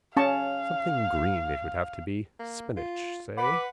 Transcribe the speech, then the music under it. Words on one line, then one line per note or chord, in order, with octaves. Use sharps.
Something green it would have to be: spinach, say.
C#4 F5 A5 C#6
A#3
F4
B4 F#5 B5 D6